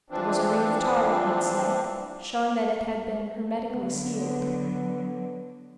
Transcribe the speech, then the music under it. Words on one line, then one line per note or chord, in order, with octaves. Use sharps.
There was a ring of tar round its neck, showing that it had been hermetically sealed.
E3 F3 C4 D4
D3 F#3 B3